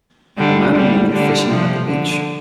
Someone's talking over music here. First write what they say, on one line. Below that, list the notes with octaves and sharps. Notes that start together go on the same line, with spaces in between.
A man and woman fishing at the beach.
D3 G3
D3 G3
D3 G3
C3 F3
D3